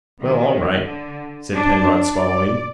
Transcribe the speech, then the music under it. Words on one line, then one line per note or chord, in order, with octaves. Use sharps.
"Well, all right," said Penrod, swallowing.
D#3
D3
D4
D5